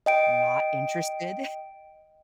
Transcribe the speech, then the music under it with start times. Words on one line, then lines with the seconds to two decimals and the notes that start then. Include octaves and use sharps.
not interested.
0.06 D#5 G5 D7